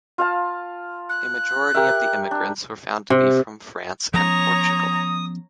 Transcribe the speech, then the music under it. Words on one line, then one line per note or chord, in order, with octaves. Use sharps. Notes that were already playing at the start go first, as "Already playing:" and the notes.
A majority of the immigrants were found to be from France and Portugal.
F4 F5 A5
F#6
G4 A#4 E5
D4
C3
F3 B3 C#4 C#5 A#5 D#6